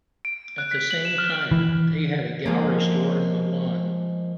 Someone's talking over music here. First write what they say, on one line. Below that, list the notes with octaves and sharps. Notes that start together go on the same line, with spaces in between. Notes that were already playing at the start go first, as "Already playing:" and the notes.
At the same time, they had a gallery store in Milan.
D7
F#6
B6
F#7
E7
F6
E3
F3 G#3 A#3